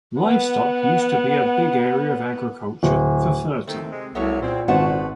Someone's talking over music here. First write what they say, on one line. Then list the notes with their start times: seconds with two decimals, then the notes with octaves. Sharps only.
Livestock used to be a big area of agriculture for Fertile.
0.20 B3 F#5
2.83 D1
3.67 D#3 A3 C4
3.91 C3 G#3
4.15 C2 F#3 A3 B3 C#4 G#4 C#5
4.42 A#2 C4
4.68 G#1 C#3 B4 C5 F#5 A5 C#6